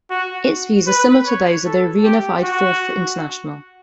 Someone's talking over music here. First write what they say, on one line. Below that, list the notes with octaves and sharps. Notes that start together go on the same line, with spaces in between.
Its views are similar to those of the reunified Fourth International.
F#4
B4
C#5
A4
G4
F#4